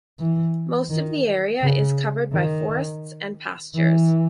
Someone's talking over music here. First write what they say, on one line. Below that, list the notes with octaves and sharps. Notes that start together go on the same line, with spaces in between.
Most of the area is covered by forests and pastures.
E3
D#3
C#3
D#3
E3